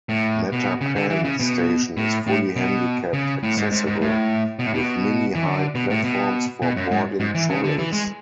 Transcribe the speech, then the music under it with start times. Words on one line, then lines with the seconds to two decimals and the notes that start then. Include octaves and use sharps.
Mattapan station is fully handicapped accessible, with mini-high platforms for boarding trolleys.
0.09 A2
0.52 B2
0.81 C#3
0.96 D3
1.10 E3
1.24 C#3
1.40 B2
1.97 A2
2.27 A2
2.56 B2
3.13 C#3
3.43 A2
3.57 G#2
3.72 G#2
3.87 G#2
4.01 A2
4.59 B2
4.66 A2
4.74 B2
5.35 E3
5.46 D3
5.75 B2
5.90 A2
6.04 B2
6.62 B2
6.76 F#2
6.91 G#2
7.20 G#2
7.35 E3
7.50 C#3
7.64 D3
7.79 E3
7.93 G#3